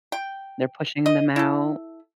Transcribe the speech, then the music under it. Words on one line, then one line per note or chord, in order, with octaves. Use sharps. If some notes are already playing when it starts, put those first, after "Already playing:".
They're pushing them out.
G5
D#5
E4 A4